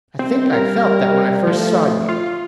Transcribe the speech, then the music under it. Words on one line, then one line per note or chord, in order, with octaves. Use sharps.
I think I felt that when I first saw you.
C2 D#3 C4
G3 A#4
F3 A3
F4